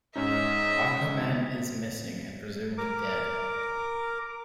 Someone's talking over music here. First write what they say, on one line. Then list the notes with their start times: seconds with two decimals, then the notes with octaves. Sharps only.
Aquaman is missing and presumed dead.
0.16 G#2 C#4 D#4 D#5 E5
2.78 A#4 D6